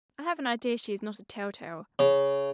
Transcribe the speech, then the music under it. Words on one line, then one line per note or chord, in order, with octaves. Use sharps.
I have an idea she is not a telltale.
C#3